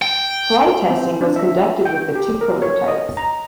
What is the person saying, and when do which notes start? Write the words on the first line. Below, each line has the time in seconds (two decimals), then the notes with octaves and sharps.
Flight testing was conducted with the two prototypes.
0.02 G5
0.90 C4
1.21 D4
1.36 E5
1.85 G5
2.15 G4
2.41 A#4
2.62 C#5
2.88 D#5
3.17 A#5